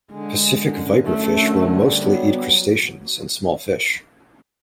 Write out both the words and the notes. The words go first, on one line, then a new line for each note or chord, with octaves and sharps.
Pacific viperfish will mostly eat crustaceans and small fish.
D3 G#3
D3
F#2
F#2 A3
D3
G3
F#3 B3